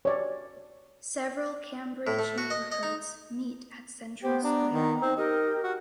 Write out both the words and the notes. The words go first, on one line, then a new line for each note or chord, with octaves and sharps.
Several Cambridge neighborhoods meet at Central Square.
C#5 D5
A2
A3
F#4
D#5
D#5
D#4
B3 G4 C5
D4 A#5
D#3
C4 D#4
D#4 G4 A#4
F#4